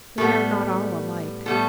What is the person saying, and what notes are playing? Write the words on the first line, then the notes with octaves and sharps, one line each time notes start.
We are not all alike.
A2 G3 B3 A4
A2 G3 B3 A4